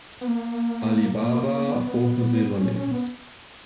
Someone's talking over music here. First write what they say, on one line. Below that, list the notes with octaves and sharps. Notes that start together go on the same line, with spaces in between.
Alibaba - open sesame.
B3
A#3
A#3
B3
C#4
C#4
B3